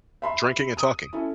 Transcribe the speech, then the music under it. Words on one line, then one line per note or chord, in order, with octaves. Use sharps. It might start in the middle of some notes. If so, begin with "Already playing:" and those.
Drinking and talking.
E5 B5 C6
D#6
C#4 E4 A4